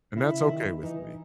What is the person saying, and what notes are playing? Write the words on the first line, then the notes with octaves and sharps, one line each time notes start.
and that's okay with me.
C#3 E4
D#3
E3 D#4